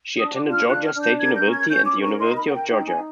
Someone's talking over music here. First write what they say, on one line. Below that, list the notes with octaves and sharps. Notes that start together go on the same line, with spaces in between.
She attended Georgia State University and the University of Georgia.
D4 D#6
D6
F4
F6
D4 F#6
F6
D4
G6
A#4 G#6
G6
C#4
G#6
C#4 G6
D6
A#4
C#6
D#4 C6
B5
A#4 F#5
G5
D#4 G5
G#5
D#4